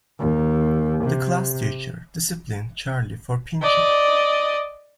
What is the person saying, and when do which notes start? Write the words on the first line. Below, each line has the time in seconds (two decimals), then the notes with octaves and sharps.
The classteacher disciplined Charlie for pinching.
0.19 D#2
1.04 C3
3.62 D5 D#5